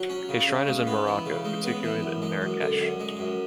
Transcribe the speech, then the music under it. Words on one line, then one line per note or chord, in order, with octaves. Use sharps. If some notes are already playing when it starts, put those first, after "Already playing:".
His shrine is in Morocco, particularly in Marrakesh.
Already playing: F#3
C#4
C#3
C#3
G#3
B3
E3
C#3
G#3
B3
E3
F#2
G#3
F#2
D3
F#2
G#3
F#2